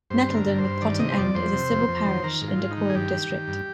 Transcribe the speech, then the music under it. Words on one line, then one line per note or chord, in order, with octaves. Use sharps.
Nettleden with Potten End is a civil parish in Dacorum District.
G2 C5
D3
A#4
G2
C5
G2
D#3 D5
C3 D#5
C5
F2 D5
F2 C5
C3
F2
F2
D#3
D#3 A#4
G#2
F4
G#2
D#4
D#3
G#4
G2 G4
D#3
D#3
G2